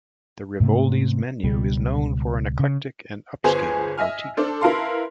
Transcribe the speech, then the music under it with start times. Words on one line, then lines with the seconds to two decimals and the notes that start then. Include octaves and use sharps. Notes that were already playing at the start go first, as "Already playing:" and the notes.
The Rivoli's menu is known for an eclectic and upscale motif.
0.60 G#2 C3 A3 B3
1.43 C#2 B2 G3
2.59 C#3
3.44 G1 B3 G#4 C5 G#5
3.98 D#5 E5 G#5 F6
4.37 D4 A4 C5
4.61 E4 A#4 B4 F5 A5 C6